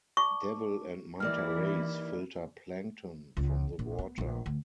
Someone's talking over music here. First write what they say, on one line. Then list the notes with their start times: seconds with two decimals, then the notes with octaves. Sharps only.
Devil and manta rays filter plankton from the water.
0.17 D5 A5 C#6 D6
1.20 D#2 E3 A#3 E4 D5 F6
3.37 C#2
3.79 A#1
3.99 B3
4.18 A#1
4.46 D2